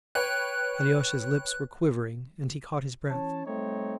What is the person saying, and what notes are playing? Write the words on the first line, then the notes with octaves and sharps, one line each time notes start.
Alyosha's lips were quivering and he caught his breath.
B4 C#5 G5 F#6
E3 C#4 C#5 A5
G3 A3 C4 D#4 C#5